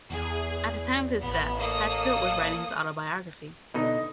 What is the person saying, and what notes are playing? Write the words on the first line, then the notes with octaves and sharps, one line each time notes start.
At the time of his death, Hatfield was writing his autobiography.
E2 G#4
A1 B3
A#3 A4 D#6
B2 D3 D#4 D#5